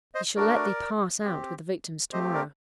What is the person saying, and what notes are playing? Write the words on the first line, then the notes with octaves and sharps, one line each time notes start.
He shall let thee pass out with the victims to-morrow.
C5 D#5
A3 D4 F#4 A#4 D5
C4 G4
A3 C4 G4 C5 D#5
A#4 D5